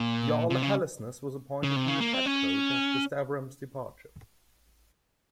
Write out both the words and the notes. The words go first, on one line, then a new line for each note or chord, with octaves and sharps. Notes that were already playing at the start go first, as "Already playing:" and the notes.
Jarle Hellesnes was appointed new head coach after Stavrum's departure.
Already playing: A#2
C3
C#3
C#3
C3
C#3
A#3
C4
C#4